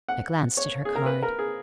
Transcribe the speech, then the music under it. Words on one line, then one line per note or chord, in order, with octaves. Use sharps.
I glanced at her card.
F#5
C#5
G#4
A#4
B4
A#4
G#4